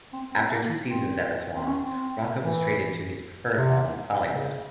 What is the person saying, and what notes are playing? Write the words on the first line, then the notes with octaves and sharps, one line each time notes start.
After two seasons at the Swans, Rocca was traded to his preferred home, Collingwood.
C4
C4
A#3
C4
C4
C#4
C4
E3
C3
C#3